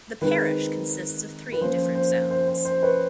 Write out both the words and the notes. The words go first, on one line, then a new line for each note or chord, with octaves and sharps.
The parish consists of three different zones.
D#3 G#3 C4 D#4 B4
B4
F3 A#3 C#4 C5
C5
C5
C5
C5
B4 C#5